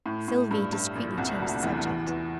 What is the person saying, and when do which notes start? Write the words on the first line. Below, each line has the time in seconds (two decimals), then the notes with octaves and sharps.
Sylvie discreetly changed the subject.
0.06 A2
0.28 A2
0.51 G2
0.73 G2
0.95 A#1 A#2
1.17 C2 C3
1.40 D2 D3
1.63 E2 E3
1.85 E2 E3
2.07 E2 E3